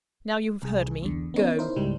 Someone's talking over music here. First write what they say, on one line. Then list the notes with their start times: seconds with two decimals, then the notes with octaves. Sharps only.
Now you have heard me, go!
0.62 C2 G#4
1.02 E2 D3
1.34 B3 C#4 D#4 C#5
1.59 D#4 E4 A#4 C5
1.76 C#2 G#2 G3 G#3